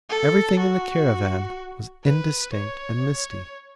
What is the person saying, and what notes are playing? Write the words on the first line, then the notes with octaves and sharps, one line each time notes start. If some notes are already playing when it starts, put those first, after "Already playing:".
Everything in the caravan was indistinct and misty.
A4
F#4
B4
C#5